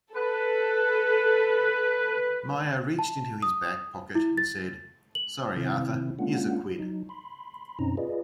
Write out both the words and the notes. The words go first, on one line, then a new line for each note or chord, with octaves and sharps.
Meyer reached into his back pocket and said, Sorry Arthur, here's a quid.
A4 B4
A5
D#6
E4
A6
F#7
C3 D#3 C4 E4
G#3 A#3 C#4 D4 F4 F#5
F#3 D#4
B5 C6
F#2 B2 C4 C#4 D#4 A#5
F4 G#4 B4 D5 D#5